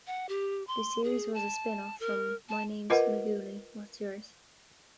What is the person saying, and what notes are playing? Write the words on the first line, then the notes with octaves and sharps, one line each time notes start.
The series was a spin-off from My Name's McGooley, What's Yours?
F#5
G4
C6
G#4
A5
A#4
A5
F4 A#4 B4 D#5 F#5